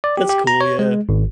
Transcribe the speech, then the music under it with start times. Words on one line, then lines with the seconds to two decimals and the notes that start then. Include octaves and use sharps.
That's cool, yeah.
0.04 D5
0.17 G4
0.29 G4
0.47 A#5
0.61 C#5
0.79 G#3
1.09 G#1